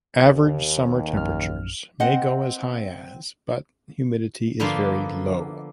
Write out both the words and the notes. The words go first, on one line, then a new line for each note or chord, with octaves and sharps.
Average summer temperatures may go as high as but humidity is very low.
D#2
A#1 F#2 F6
C4 D#5 F#5
D3 F3 A#3 B3 F5 C6